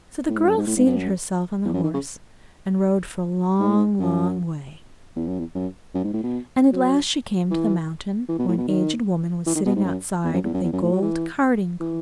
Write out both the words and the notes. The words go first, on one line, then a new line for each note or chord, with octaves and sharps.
So the girl seated herself on the horse, and rode for a long, long way, and at last she came to the mountain, where an aged woman was sitting outside with a gold carding-comb.
A2
G#2
F#2
G#2
A2
G#2
F#2
E2
F#2
D#3
C#3
G#2
A2
G#2
F#2
E2
F#2
E2
F#2
F#2
G#2
A2
B2
F#3
E3
E3
B2
A2
B2
D#3
E3
D#3
B2
G#2
F#2
E2
F#2
E2
F#2
E2
F#2
A2
F#3
E3
E3